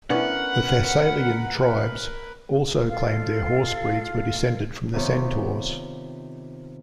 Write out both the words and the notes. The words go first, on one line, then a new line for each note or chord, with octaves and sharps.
The Thessalian tribes also claimed their horse breeds were descended from the centaurs.
B3 C#4 D4 E4 A#4 B4 F#5 B5
F4 A4 F5
C3 D#3 B3 F4 C#5